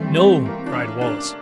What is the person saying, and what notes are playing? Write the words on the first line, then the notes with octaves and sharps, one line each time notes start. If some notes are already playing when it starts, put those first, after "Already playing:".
"No," cried Wallace.
Already playing: E3 G3 A3 C4
A3
A#3
D4
C#4
D4